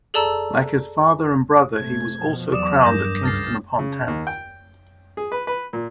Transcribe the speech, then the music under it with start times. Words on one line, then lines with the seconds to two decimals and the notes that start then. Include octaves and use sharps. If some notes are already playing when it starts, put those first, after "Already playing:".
Like his father and brother he was also crowned at Kingston upon Thames.
0.14 G#4 A4 D5 A5 A#5 E6
1.75 C3 A3 G#6
2.21 B2 F3
2.52 E2 F#3 D5 D6 D#6 E7
2.85 G2 A#4 G6 A#6
3.23 C#2 G#2 F6 A6 C7
3.79 C#3
4.08 D#2
4.27 G5
5.17 G#4
5.32 B4
5.47 B4
5.73 A#2